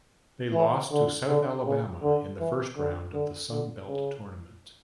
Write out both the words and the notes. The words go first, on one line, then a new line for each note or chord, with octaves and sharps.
They lost to South Alabama in the first round of the Sun Belt Tournament.
E3
D3
D3
C#3
D3
E3
D3
D3
D3
C#3